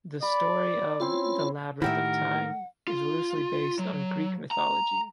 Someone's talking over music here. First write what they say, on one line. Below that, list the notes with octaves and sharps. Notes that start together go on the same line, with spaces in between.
The story of "The Labyrinth of Time" is loosely based on Greek mythology.
D5 B5
C4 C#4 E4 F4
A2 D#3 E4 G4 A#4 E5 F#5
F4
F#3
A#5